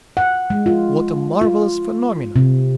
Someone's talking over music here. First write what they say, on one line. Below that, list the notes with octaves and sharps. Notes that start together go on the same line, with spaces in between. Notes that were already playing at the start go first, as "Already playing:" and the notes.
What a marvellous phenomenon!
F#5
G#3
F4
F4
C3